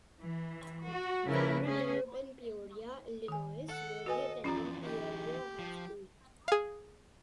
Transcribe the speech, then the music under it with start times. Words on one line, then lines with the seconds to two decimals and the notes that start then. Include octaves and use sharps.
Farmer grew up in Peoria, Illinois, where he attended Peoria High School.
0.19 E3
0.84 F#4
1.27 C#3 F3 E4 A#4 B4
1.64 A3 C#4 G#4
3.28 D#3 G#5
3.69 A4 F#5
4.06 F#4 B4 D#5 G#5
4.44 F2 E3 C#4 F4 D5 A#5
4.83 E3 D#4 G4
5.59 F3
6.48 G#4 F5